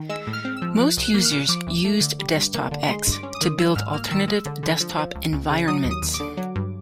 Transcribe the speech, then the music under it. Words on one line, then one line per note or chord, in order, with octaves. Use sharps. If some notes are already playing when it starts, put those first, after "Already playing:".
Most users used DesktopX to build alternative desktop environments.
Already playing: D#3
G#3 E6
A2
F6
C4
E6
F3
F3 F#6
C2
F#6
A#3
F#6
F6
A#2
F3 D6
D2
A3
D3
G3
G2
A#3
D3
G#3 C6
G2
D6
C#4
D#6
D#3
F#3 E6
G#2 F6
A#3 F6
D#3 E6
G#3
D3
D3
F3
F3
C#2
C#2
C#3
F#3 D#6
D#2
D#6
D#2
D6
D3
F#3
G2